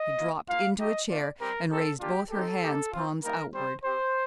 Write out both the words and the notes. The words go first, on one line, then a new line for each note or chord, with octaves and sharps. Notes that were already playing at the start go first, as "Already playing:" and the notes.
She dropped into a chair and raised both her hands, palms outward.
Already playing: D#5
A#3 F4
A#3 F4 F5
A3 D#4 G4 D#5
A3 C4 F4 D5
G3 C4 G4 A#4
C4 D#4 G4 A4
A#3 D4 F4 G4
C4 D#4 G4 A4
A#3 D#4 G4
C4 F4
G3 A#3 D#4 A#4
G3 C4 G4 C5
C4 G4 C5